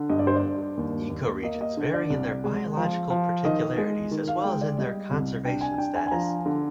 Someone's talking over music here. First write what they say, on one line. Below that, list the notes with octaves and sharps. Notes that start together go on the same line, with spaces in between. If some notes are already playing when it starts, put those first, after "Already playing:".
Ecoregions vary in their biological particularities, as well as in their conservation status.
Already playing: D3
G2 D#5
D5
C5
D5
G2
D#2
D#2
A#3 D#5
D#5
D3
D5
C2
G#3
F3
F3
D#3 D#5
G#3
D#3
F5
G#3 G5
D5
G3 D#5
C2
D4 G5
G#5
D4 G5
G#5
G#5
F3 A#5
D3